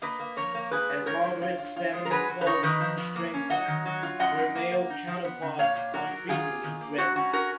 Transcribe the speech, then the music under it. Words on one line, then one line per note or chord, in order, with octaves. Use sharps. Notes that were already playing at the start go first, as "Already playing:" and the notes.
As Margaret's feminine qualities strengthen, her male counterparts are increasingly threatened.
A#3 B4 D#5
A#3
F2 A#4 C#5
A#3
G#2 G#4 B4
G#2
G#2 A#4 C#5
G#2
F4
F4
F4
G#3
A#4
F#3 G#4 B4
F#3
B4
D#4 A#4 C#5
D#3 B4 D#5
F3
F2
A#3
C#4
F#3 D#5 F#5
D#3
F#3
F4
F#2 D#5 F#5
F#2
A#3
A#3
D#4
F3
B3
C#3
A#2 C#5 F5
A#2
F#3 F#4 A#4
F#3
D#3 F4 G#4
A#3
D#3
A#3
G#2 F#4
C#4 F#4
F#4 A#4